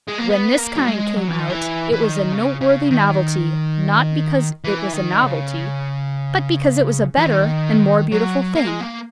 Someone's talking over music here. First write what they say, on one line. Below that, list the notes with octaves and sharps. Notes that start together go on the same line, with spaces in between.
When this kind came out it was a noteworthy novelty, not because it was a novelty, but because it was a better and more beautiful thing.
G#3
A#3
B3
A#3
F#3
G#3
F#3
E3
D#3
E3
E3
D#3
C#3
C#3
D#3
E3
D#3
C#3
E3
D#3
F#3
A#3
G#3
A#3